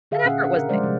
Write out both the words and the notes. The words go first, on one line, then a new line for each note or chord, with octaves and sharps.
An effort was made.
D3 G#4 E5 F5
A#2 C#4 F#5
D4 F#5
C#3 A#4
F3 G3 G#3 C5 D5
C3 F3